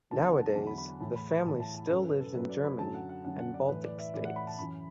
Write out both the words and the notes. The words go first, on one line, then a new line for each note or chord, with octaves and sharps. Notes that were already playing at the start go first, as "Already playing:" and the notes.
Nowadays the family still lives in Germany and Baltic States.
E2 D3 F#3 A5
F#5
A5
E2 D3 F#3 A5
B5
B5
B5
A2 E3 A5
B5
B5
A2 E3 A5
A5
A5
F#2 F#3 A4
B4
A4
F#2 F#3 B4
D5
B5
F#2 D3 F#3 A5
F#5
F#5
F#2 D3 F#3 F#5
F#5
D5
A2 E3 B4
D5
E5
A2 E3 D5
F#5
B5
A5
F#2 E3 B5